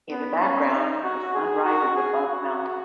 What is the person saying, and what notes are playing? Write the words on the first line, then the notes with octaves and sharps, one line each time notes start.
In the background, the sun rises above mountains.
B3
C#4
D#4
F#4
G#4
F#4
G#4
F#4